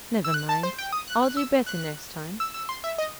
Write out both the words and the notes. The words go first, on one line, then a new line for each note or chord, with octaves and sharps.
'Never mind; I'll do better next time.'
E6
F#6
A5
C5
G5
D#6
F#6
F#6
E6
F#6
E6
E6
C6
E5
D#5